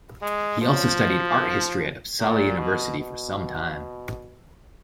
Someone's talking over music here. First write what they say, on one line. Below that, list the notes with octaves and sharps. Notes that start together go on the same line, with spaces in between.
He also studied art history at Uppsala University for some time.
G#3
F3
A#2
B2
B2